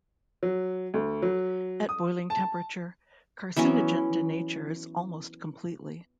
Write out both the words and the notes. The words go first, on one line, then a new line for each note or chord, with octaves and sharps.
At boiling temperature, carcinogen denatures almost completely.
F#3
D2
F#3
D#6
A5
E3 F#3 B3 C#4